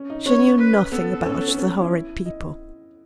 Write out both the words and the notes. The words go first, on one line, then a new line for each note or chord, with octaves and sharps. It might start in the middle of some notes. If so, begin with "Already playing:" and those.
She knew nothing about the horrid people.
Already playing: C#4
D#4
C#4 C#5
B4
B3 A4
C#4
B3
C#4
C#4
E4
D#5